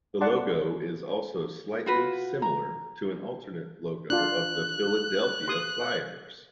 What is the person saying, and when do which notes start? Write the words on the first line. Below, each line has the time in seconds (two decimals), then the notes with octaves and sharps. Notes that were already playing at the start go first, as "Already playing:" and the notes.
The logo is also slightly similar to an alternate logo of the Philadelphia Flyers.
0.21 D5 F#5 A5 C6 D6
1.86 F4 F#4 B4
2.42 A#5
4.10 D4 F4 F#6
5.48 C6 D#6